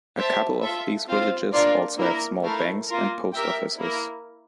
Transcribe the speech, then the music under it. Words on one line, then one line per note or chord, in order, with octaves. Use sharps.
A couple of these villages also have small banks and post offices.
G4 C5 E5 A5
F4 A4 E5
C4 F4 C5 F5
A#3 D4 F4 A#4 D5
A#3 E4 A#4
A3 E4 A#4 F5
A#3 F4 A#4
G4 A#4 E5 G5
A#3 E4 A#4